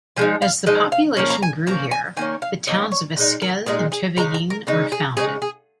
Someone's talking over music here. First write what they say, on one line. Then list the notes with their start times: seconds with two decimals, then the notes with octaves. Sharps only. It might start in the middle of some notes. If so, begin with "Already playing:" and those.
As the population grew here, the towns of Esquel and Trevelin were founded.
0.17 F3 G#3 D#4 G#5
0.42 F5
0.66 F3 G#3 D#4 D#5
0.92 F5
1.17 F3 A#3 C#4
1.30 A#5
1.42 G#5
1.67 F3 A#3 C#4 A#5
1.91 G#5
2.17 D#3 A#3 C#4 G#5
2.42 F5
2.67 D#3 A#3 C#4 D#5
2.92 C#5
3.16 A#2 G#3 D#4
3.42 A#4
3.66 A#2 G#3 D#4 G#4
3.92 G#4
4.16 C#3 G#3 D#4 A#5
4.34 A#5
4.50 A#4
4.67 C#3 G#3 D#4
4.92 G#4
5.17 C#3 F3 G#3 D#4 G#4
5.42 G#4